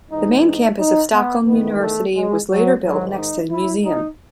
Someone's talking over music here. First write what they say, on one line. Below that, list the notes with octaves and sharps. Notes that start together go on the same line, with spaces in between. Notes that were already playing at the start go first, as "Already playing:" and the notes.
The main campus of Stockholm University was later built next to the museum.
G#2 E3 D#4
D#4
D#4
B3
E2 D#3 B3
A3
G#3
F#3
G#2 D#3 F#3
D#4
E4
D#4